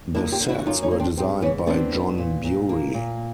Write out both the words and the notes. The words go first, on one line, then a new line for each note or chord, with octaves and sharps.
The sets were designed by John Bury.
A#3 D4 E4
F4 G4
D3
E4 F#4
F#4
F#2 D#4 F4
C#4 D#4
A#3
C4 D4
G#2 C4
E3 B3 C#4
B3 C4 D4
B3
A#2
A#2
A#3
A#2